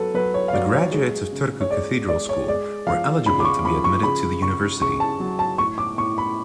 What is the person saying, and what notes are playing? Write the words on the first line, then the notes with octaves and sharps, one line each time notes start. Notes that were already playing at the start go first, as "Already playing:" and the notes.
The graduates of Turku Cathedral School were eligible to be admitted to the university.
Already playing: F#3 A4 B4
F#3 B4
C#5
F5
F#3 D5
C#5
G#3
C#3
C#5
G#3 D5
G#3 D5
C#5
G#3 D5
F3 F5
C#3 B5
D6
C#6
F3 B5
C#6
C#3 B5
C#3 C#6
C#3 C#6
A5
F#3
A5
A2 C#6
D6
A2 C#6
B5